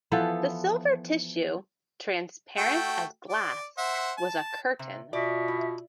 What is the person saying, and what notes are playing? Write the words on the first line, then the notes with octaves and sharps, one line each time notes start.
The silver tissue, transparent as glass, was a curtain.
E3 F3 B3 A4
A3 F#4 G5
D5
C5 E5 F#5
A5
C3
B2 F4 D5 E5
E4